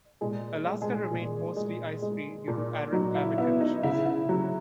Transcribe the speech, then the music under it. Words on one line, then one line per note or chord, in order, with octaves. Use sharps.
Alaska remained mostly ice free due to arid climate conditions.
A#2 G#3 G#4
G#3
G#3 G#4
A#2
G#3
G#3
A#2
F#3 D#4 F#4
E4
B3 E4
D#4
C#3 E4
E4
F#3 F#4